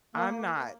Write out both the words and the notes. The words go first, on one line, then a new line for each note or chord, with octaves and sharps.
I'm not
A#3